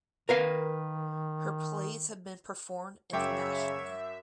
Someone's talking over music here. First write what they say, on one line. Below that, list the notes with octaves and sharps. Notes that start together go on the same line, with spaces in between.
Her plays have been performed internationally.
D#3 A#4 B4 F5
F#2 C#3 C#5 E5 G5 D6